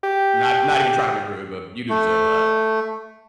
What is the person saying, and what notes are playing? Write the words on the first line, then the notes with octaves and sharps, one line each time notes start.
Not not even trying to be rude, but you do deserve that."
G4
A3